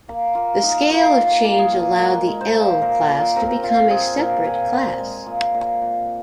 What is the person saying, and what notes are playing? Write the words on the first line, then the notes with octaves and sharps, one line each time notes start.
The scale of change allowed the L class to become a separate class.
A#3
A#3 F4
A#3 D#4
A#3 F4
A#3 F4
A#3
G#4
A#2
G#3 A#4
G#3
C5
A#2
A#2 A#4
A#2 A#4
C4 A#4
A#2 F4
C4 G#4
A#2 A#4
A#2 G#5
C4
G#3
A#2
A#2
A#2